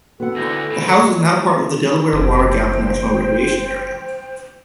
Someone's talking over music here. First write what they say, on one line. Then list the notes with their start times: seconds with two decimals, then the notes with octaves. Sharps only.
The house is now part of the Delaware Water Gap National Recreation Area.
0.20 B3 F#4 A4 F#5
0.36 D2 D3 E4 G6 A#6
0.71 B2
2.13 F#1 C5 G5